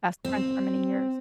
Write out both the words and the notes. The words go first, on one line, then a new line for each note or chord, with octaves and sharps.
best friends for many years.
C4